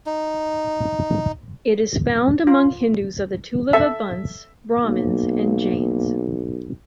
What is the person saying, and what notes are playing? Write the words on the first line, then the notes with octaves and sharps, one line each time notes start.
It is found among Hindus of the Tuluva Bunts, Brahmins and Jains.
D#4
F4
A4 E5 A5
B1 A#3